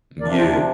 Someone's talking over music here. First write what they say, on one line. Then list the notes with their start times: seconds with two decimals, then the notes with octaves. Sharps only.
Mm, yeah.
0.21 C3 F3 D4 A#4 D5
0.31 A#4
0.37 G4 C5
0.52 F4 A#4